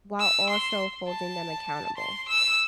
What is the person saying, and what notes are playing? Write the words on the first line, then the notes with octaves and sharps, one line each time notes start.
while also holding them accountable.
E6
C6
A5
C6
E6